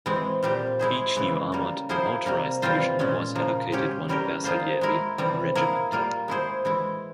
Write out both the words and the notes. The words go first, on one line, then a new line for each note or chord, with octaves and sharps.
Each new armoured and motorised division was allocated one Bersaglieri regiment.
E3 G#3 C4
A#2 G3 C4 G4
G#3 E4 G#4 C5
C#3 E3 G#3
C#3 G3 A#3
F3 A#3 E4 G#4 C5
C3 G3 A#3
E3 G3 C4 F4 C5
A#2 G#3 C#4
C#3 F3 A#3
G#3 C#4 G4
E3 G3 C#4 G4 A#4
G3 A#3 F4 G#4 C5
G#3 E4 A#4
C3 E3 G3
A#3 E4 G#4
G3 A#3 F4
G#3 E4 G#4 C5
E3 G#3 E4